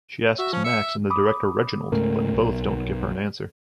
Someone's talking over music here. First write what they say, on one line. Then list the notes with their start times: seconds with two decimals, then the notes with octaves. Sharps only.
She asks Max and the director Reginald, but both don't give her an answer.
0.38 F#4 E5
0.53 F3 C#4
0.64 E5 C#7
1.10 B5 D6 D#6
1.92 C#2 G#2 C#3 A3 A#4
2.33 B1